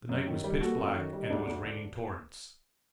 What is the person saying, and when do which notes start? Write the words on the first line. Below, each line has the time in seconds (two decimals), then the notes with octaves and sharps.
The night was pitch black and it was raining torrents.
0.09 F#2
0.27 D#3
0.44 G3
0.61 A#3 F#4 A4
0.78 F#2
0.95 D#3
1.13 G3
1.22 D#4
1.30 D2 D4
1.47 D2
1.64 D3